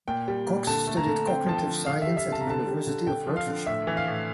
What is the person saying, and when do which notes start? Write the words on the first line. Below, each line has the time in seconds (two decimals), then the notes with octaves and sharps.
Cox studied cognitive science at the University of Hertfordshire.
0.08 A#2 G5
0.28 G3
0.47 A#2
0.67 D3 A5
0.87 A3
0.97 A#5
1.06 D3
1.27 C4 G5
1.46 F3 A5
1.57 G5
1.67 D3
1.86 D3 F5
2.02 G3 E5
2.17 E5
2.28 D3 A5
2.41 A#5
2.47 D3 A5
2.67 G3
2.87 D3
3.07 D3 G5
3.27 F3
3.37 F5
3.47 D3
3.66 A2 E5
3.87 E3
3.97 F5
4.07 A2